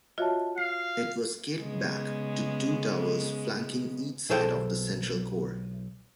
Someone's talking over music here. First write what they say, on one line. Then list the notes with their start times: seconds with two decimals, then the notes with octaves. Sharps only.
It was scaled back to two towers flanking each side of the central core.
0.18 F4 F#4 C#5 D#5 E5 A5
0.58 F5 C7
1.57 C#3 G#3 B3
4.30 B1 G#4 A4 C5 F#5 G5